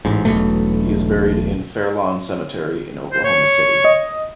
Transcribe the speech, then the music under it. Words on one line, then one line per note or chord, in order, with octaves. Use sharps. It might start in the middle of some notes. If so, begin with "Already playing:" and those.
He is buried in Fairlawn Cemetery in Oklahoma City.
A1 G#2
E1 B1 B2 A3
C5
C#5
D#5